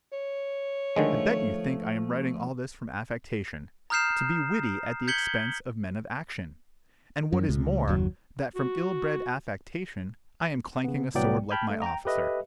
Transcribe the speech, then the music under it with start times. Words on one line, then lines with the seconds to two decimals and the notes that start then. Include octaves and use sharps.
I bet you think I am writing all this from affectation, to be witty at the expense of men of action; and what is more, that from ill-bred affectation, I am clanking a sword like my officer.
0.12 C#5
0.96 D3 D#3 F3 G#3 A3
3.90 A#5 D#6 F6 G6 C7 E7
5.08 G6 G#6 B6 C#7 F#7 G7
7.32 F#2
7.49 C#2
7.88 F#1 D#2 F#3
8.55 F#4
10.84 C#3 B3
11.14 C2 A2 F#3 B3 D5 G5
11.51 G5 A5 B5 F6 G6 G#6
11.70 A3
11.82 G5 A#5
12.05 G4 A4 B4 D#5 E5